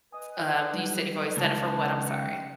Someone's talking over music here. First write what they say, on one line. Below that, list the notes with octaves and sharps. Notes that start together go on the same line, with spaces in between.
Uh, do you said you've always done it for what? I'm sorry.
B4 D#5 G#5 D#6
F#3 G3 D#4
C#2 A5
B4
G5 C#7